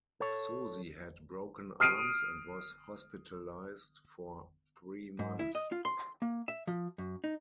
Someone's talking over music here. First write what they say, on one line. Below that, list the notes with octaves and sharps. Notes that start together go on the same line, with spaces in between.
Suzy had broken arms and was hospitalized for three months.
A4 C#5
D#6 F6 C7 D7 D#7
G#2
E4
D#5
F4
C6
A#3
E5
F3
F#2
D#4